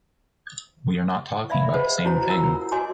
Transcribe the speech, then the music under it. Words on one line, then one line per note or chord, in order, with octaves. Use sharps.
We are not talking about the same thing.
D5 E5 F5 B5
G#4 B4 C5 D#5 F#5
C#4 E4 F#4 C#5 A#5
E4 F4 A#4 F#5 A#5 E6
F#4 C#5 D#5 G#5 C6 D6